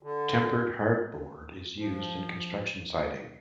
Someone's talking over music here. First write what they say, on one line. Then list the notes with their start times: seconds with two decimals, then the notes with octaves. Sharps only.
Tempered hardboard is used in construction siding.
0.03 D3
1.78 F3